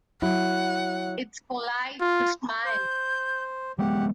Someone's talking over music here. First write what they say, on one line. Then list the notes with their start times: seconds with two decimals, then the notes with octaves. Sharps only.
It's polite to smile.
0.22 F#3 E4 F#5
2.01 F4
2.65 C5 G6
3.79 F#3 G#3 B3 G4 F#5